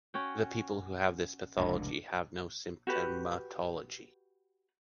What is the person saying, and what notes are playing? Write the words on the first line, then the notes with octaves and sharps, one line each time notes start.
People who have this pathology have no symptomatology.
C#4 F#4 G5
F1 C#2 A2 D4
F#4 G4 B4